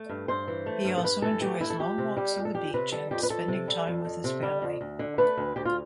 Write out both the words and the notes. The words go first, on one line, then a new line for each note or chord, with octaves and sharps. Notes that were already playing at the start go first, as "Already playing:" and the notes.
He also enjoys long walks on the beach and spending time with his family.
Already playing: A3
G2
G2 C5
E3
A3
G2
A4
G2 B4
E3 A4
A3 G4
G2 E4
A4
F2 G4
C3
G3 G4
F2
A4
F2 G4
C3 B4
G3 A4
F2 G4
B4
F2 A4
C3
G3
F2
F2
C3
G3
F2
D2
D3
A3 B4
D2
D2 G4
F4